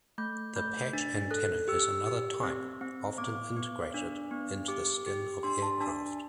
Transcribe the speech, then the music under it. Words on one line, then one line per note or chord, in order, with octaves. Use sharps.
The patch antenna is another type, often integrated into the skin of aircraft.
A3 G6
A3 G6
D4 A6
A4 F#6
G4 E6
G4
C4
C4
B3 D6
B3
D4
B3
G4 D6
G4
D4 C6
A5
D4 A5